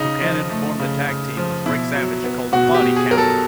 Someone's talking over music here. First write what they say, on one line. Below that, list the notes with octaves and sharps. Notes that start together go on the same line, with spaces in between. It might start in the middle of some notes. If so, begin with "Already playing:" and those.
Buchanan formed a tag team with Ric Savage called "Body Count".
Already playing: C#3 D#4
F3
A3
C#3
C#3
F3
B2 E4
F#3
B3
B2 F#4
G4
B2
G#4
F#3 A#4
A4